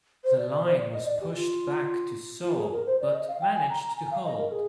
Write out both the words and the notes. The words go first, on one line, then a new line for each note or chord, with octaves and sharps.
The line was pushed back to Seoul but managed to hold.
C5
D5
D5
C5
D5
D#5
D5
G4
F4
F4
G4
G#4
A#4
C5
D5
D#5
F5
G5
G#5
A#5
A#5
G#5
F5
D#5
A#4
G#4